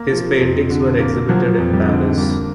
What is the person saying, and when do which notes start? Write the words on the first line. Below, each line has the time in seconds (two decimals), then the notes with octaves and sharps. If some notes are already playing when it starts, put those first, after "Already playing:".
His paintings were exhibited in Paris.
Already playing: A#3
0.11 F3
0.40 F2
0.70 D3
1.00 A#3
1.29 F3 F#3
1.58 F2
1.74 G3
1.88 D3
2.18 G3 A#3